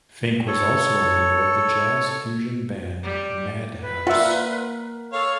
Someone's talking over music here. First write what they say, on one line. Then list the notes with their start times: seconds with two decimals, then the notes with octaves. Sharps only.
Fink was also a member of the jazz-fusion band Madhouse.
0.47 A4 C#5
3.03 G3
3.82 B4
4.07 A#3 F4 E5 F#5
5.13 A4 C#5 F5